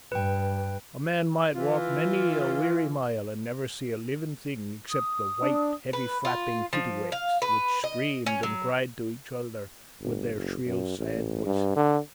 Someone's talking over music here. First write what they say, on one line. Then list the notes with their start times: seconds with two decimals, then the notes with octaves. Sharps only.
A man might walk many a weary mile and never see a living thing except the white, heavy-flapping kittiwakes, which screamed and cried to each other with their shrill, sad voices.
0.12 G2 B4 G5
1.56 E3 F4
4.90 D#6
5.42 D4
5.93 B4
6.25 F4
6.73 F3
7.12 F5
7.42 B4
7.84 D#5
8.26 C#4
8.43 F#3
10.01 G1
10.35 F#1
10.66 F#2
10.98 A1
11.46 G2
11.76 D3